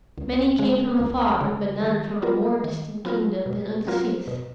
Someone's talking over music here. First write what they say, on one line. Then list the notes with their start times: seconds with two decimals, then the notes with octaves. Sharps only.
Many came from afar, but none from a more distant kingdom than Odysseus.
0.18 C#2
0.59 C#3 G#3
1.00 C#2
1.40 C#3 G#3
1.82 D#3
2.22 F#3 B3 F4 A#4
2.64 D#3
3.05 F#3 B3 F4 A#4
3.46 B2
3.87 F#3 A#3 F4 A#4
4.28 B2